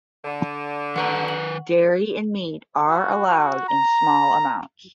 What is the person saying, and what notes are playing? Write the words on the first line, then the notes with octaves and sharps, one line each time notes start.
Dairy and meat are allowed in small amounts.
D3
D#3 B4 F#5 A#5 C#6 D#7
F#7
F#4
A#5